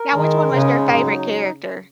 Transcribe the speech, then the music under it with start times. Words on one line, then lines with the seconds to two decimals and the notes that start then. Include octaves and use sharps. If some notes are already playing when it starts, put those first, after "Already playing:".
Now which one was your favorite character?
Already playing: A#4
0.14 D#3 G#3
0.53 C#3 D#4
0.93 F#3